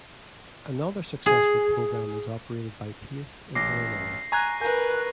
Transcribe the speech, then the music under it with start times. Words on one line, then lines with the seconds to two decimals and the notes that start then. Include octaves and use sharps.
Another successful program is operated by Pace in Illinois.
1.26 G#4
3.55 A1 D6 A#6 C7
4.32 G#5 A#5 C#6 F#6 G#6
4.61 A#4 B4 G#5 G6